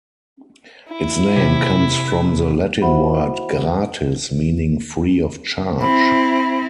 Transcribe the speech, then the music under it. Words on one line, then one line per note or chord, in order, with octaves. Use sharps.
Its name comes from the Latin word "Gratis", meaning free of charge.
E4
C3 G#6 B6
E4 F#4 C5 E5 F#5 B5
C4 E4 B5